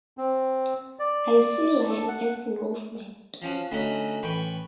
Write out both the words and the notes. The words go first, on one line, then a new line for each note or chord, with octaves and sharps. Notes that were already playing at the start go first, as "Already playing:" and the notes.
I see line as movement.
C4
D5
A4
F#5
F3 C#4 F#4
D2 A3 C#4 D#4 F#4 B5
A1 B4 G5 B5 C#6